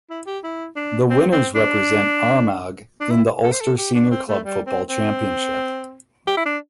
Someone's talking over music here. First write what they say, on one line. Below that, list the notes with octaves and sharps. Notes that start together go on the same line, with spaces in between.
The winners represent Armagh in the Ulster Senior Club Football Championship.
E4
G4
E4
D4
C4
C4
D4
D4
E4
A4
C5
A4
G4
D4
C4
A3
G3
C4
C4
G4
E4
D4